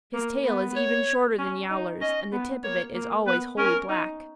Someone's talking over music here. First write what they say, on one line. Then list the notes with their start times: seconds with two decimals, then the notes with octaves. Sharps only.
His tail is even shorter than Yowler's, and the tip of it is always wholly black.
0.13 A#3
0.44 B3
0.75 C#5
1.38 C#4
1.69 D#4
2.01 C#4 D#5
2.32 B3
2.63 A#3 C#5
2.94 A#3
3.26 B3 B4
3.57 C#4 A#4
3.89 D#4